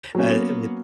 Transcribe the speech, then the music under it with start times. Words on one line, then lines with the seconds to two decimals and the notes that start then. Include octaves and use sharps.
uh, with
0.15 F#3 A#3 B3 C#4